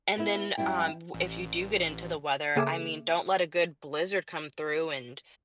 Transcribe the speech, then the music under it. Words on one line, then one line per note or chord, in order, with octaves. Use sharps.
and then, um, w if you do get into the weather, I mean, don't let a good blizzard come through and
B3 E4
F#2 G3 E4 G5
A1
C#3 A#3 G#4 A4 E5 D6